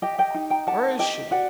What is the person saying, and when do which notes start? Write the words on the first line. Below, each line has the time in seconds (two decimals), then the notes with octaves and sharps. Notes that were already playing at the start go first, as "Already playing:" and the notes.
"Where is she?"
0.02 G4 D#5 G5
0.18 D#5 G5
0.34 D#4
0.50 G5 A#5
0.67 G4 F#5 A5
0.99 G4 D#5 G5
1.31 F#4 D5 F#5